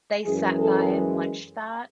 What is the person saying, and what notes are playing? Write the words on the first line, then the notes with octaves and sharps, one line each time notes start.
they sat by and watched that,
F#2 E3 G#3 G#4
A4